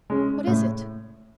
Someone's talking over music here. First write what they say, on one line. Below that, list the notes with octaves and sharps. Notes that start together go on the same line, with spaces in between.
What is it?
G#3 C#4
A2